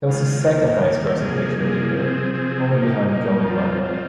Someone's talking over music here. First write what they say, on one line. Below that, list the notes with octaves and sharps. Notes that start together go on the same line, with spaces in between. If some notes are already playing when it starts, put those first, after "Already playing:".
It was the second-highest grossing picture of the year, only behind "Going My Way".
D#3 G#3 F4
D#2 D#3 A#3
D#2 D#3 A#3
C3 F3 A#3 G#4
C3 F3 A#3 G#4
C3 F3 C4 G#4
C3 F3 C4 G#4
A#2 A#3 D#4
A#2 A#3 D#4
F2 F3 C4 F4
F3 C4 F4